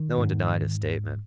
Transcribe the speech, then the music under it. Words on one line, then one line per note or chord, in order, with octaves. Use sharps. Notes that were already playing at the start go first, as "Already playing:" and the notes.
No one denied his statement.
Already playing: D#3
G#2